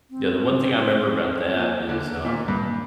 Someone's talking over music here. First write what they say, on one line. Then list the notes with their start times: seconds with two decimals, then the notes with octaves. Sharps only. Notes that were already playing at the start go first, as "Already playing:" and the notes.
yeah, the one thing I remember about that is, um,
0.10 C4
1.53 F3 A#3
1.89 D3
2.25 A#2
2.48 G2